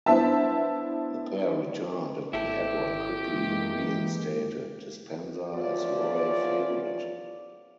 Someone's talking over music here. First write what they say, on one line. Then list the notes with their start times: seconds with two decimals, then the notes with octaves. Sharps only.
The pair returned and King Edward quickly reinstated Despenser as royal favourite.
0.06 B3 D4 E4 C5 E5 A5
2.33 G#1 E4 G4 A4
3.30 F#2 E3 G#3 A#3
5.55 E2 F3 F4 C#5 D5